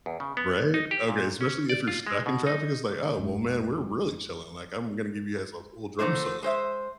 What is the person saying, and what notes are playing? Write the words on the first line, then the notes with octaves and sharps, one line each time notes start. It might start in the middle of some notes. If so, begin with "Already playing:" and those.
right, okay, especially if you're stuck in traffic, it's, like, "Oh, well, man, we're really chilling, like, I'm gonna give you guys a full drum solo,"
E2
C#3
B3
D#4
G4
A#2
C#4
D5
F4
G#3
B2
D#4
F1 G#2
D3 F3 A3 D#4 C5
G#3 C5 E5